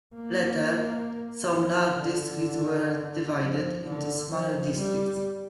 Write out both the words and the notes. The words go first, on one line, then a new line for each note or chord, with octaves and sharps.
Later, some large districts were divided into smaller districts.
A#3
F3
D3
F3
D3
F3
G3